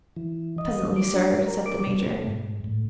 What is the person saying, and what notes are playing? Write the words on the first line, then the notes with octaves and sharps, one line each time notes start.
"Presently, sir," said the Major.
E3
D#5
D6
D4
A#4
D6
B2
G#2
A2